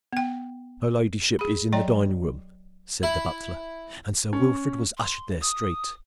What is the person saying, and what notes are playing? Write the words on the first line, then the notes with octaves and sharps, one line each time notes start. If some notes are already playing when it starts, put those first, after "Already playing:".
"Her ladyship is in the dining-room," said the butler, and Sir Wilfrid was ushered there straight.
B3 G5
G#4 B5
F#3 D5 D#5 G5 A#5
E4
C#4
C6
D#6